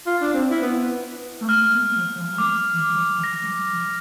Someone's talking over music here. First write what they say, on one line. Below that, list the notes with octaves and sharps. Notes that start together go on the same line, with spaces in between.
However, the works differ completely.
F4
D4
C4
E4
B3
F6
D6
A#6